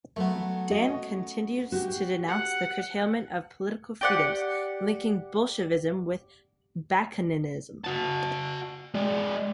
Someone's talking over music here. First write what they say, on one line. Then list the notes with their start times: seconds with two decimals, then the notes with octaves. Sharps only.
Dan continued to denounce the curtailment of political freedoms, linking Bolshevism with Bakuninism.
0.16 F#3 A3 B3
0.71 C#4 F#4 D#5
1.72 F#4 G4
2.27 F#5
4.01 G4 D5 F#5
7.84 F#4 A5
8.95 G#3 D5